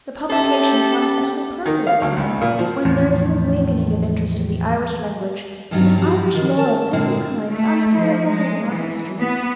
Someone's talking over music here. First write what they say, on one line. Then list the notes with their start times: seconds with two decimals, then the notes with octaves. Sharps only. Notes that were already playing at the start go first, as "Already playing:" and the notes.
The publication comes at an appropriate time, when there is an awakening of interest in the Irish language, and in Irish lore of every kind, unparalleled in our history.
0.30 C#4 G4 A4 C5 E5 A5
1.65 D#3
1.87 F5
2.02 D2
2.17 C#2
2.41 A#2
2.59 F3
2.85 E2 A2 F3
5.71 G2 D#3 F#3 G3 F4
5.97 F3 G3 F#4
6.35 D#3
6.57 A#4 A5
6.93 A#2 D3 G#3 A#3 C4
7.50 A3
7.97 F3
8.29 G#3
8.71 E3
9.20 B3